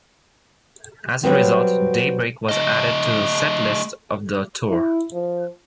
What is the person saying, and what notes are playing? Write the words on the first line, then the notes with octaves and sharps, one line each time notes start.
As a result, "Daybreak" was added to the set-list off the tour.
F#3 G3 B3 C4
A3 D#5
E4
F3